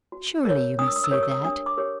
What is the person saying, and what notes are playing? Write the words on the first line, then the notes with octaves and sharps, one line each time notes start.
Surely you must see that.
F#4
A#4 C#5
D4 D#6
E6
D#6
E6
G4 A#4 C#5 D#6
E6
D#6
D4 D#6
D6
G4 A#4 C#5